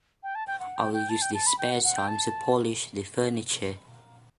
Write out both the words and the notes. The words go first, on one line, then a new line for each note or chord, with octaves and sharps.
I will use this spare time to polish the furniture.
G5
A5
G5
F#5
G5
G5
A5
G5
A5
B5
G5
F#5
F#5
G5
A5